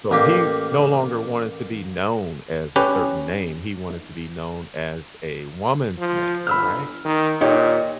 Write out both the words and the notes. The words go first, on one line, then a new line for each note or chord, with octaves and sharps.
Well, he no longer wanted to be known as a certain name. He wanted to be known as a woman's name, right?
A1 A#3 G4
C#4 G4 B4
F3
G1 B5 E6 F6
D#3
A#2 D#4 G4 C#5